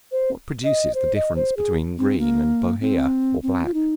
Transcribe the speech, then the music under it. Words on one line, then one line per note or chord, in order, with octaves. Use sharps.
What produces the difference between Green and Bohea, or Black?
C5
D#5
C5
D#5
C5
G#4
C4
A#3
C4
C4
F4
D#4